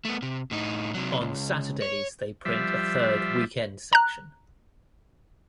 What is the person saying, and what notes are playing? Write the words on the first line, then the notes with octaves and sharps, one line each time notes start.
On Saturdays they print a third weekend-section.
A3 B3
C3
A2 D#4
C3 F#3
C#2
C#5
F3 G3 E5
A#5 F#6